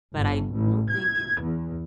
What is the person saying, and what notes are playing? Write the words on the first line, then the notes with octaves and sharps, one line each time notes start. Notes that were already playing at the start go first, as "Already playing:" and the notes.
but I don't think
G1
A1
G#6
E2